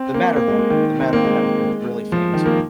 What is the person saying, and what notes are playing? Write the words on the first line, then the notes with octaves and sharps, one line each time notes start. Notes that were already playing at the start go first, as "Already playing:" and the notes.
The Matterhorn. The Matterhorn, that was the other really famous one.
Already playing: C4
A#3
A#3
G#3
G#3
D#3
C4
A#3
G#3
F3
D#3
A#3